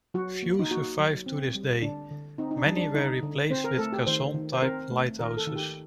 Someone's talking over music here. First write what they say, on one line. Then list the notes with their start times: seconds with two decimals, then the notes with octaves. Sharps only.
Few survive to this day; many were replaced with caisson-type lighthouses.
0.14 F#3 F#4
0.43 A#3
0.59 D#4
0.71 A#3 F#4
0.99 F#3
1.26 C4
1.55 G3
1.82 D3 D4
2.11 D3
2.38 C4 D#4
2.51 D#4
2.57 D4
2.66 G3
2.77 D4
2.94 D3 D#4
3.23 D3
3.50 C4 C5
3.64 A#4
3.78 A3 A4
3.93 G4
4.06 D#3 C5
4.34 D#3
4.53 C5
4.62 C4 A#4
4.91 A3
5.19 D#3 A#4
5.37 A4
5.47 D#3
5.56 G4